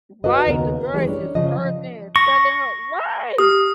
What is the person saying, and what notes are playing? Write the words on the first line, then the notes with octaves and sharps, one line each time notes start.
Right, the girl is just cursing and telling her Right!
F#4 A4 B4 D#5
D#2 C#3 B3 A#4
E3 G#3 G4
C#4 D4
C#3 F3 D#5
C#6 A#6
G4 D#6 F6